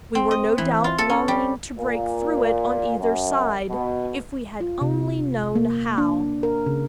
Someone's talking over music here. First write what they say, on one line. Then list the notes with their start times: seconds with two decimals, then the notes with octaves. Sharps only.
We were no doubt longing to break through it on either side--if we had only known how.
0.15 C4
0.31 D#5
0.58 E3
0.84 F4
0.98 A4
1.09 C#4
1.28 G3
1.76 A#2
2.98 F#2
3.70 B2
4.61 F4
4.81 C3
5.55 A#3
5.98 D4
6.43 A#4
6.66 C#3